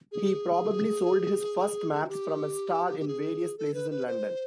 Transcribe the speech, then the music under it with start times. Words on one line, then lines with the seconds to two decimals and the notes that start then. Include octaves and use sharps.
He probably sold his first maps from a stall in various places in London.
0.12 G#4
2.04 F#4
2.09 G4
3.00 G4
3.08 G#4
3.58 A4
3.74 B4
3.91 B4
4.07 C5